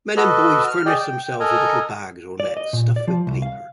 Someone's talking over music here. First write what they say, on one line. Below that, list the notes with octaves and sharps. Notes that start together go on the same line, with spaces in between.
Men and boys furnished themselves with little bags or nets stuffed with paper.
F#4 A4 B4 D#5
F6
G#4 D5 D#5 G5
G5
G5
A4 A#4 D#5 G#5 A#5
D5
D#5
A#2
D5
F3
C2
F5